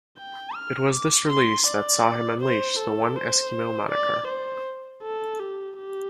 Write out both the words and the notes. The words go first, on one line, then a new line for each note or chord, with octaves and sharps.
It was this release that saw him unleash the One eskimO moniker.
G5
F6
D6
C6
D5
C5
A4
C5
D5
C5
A4
G4
G4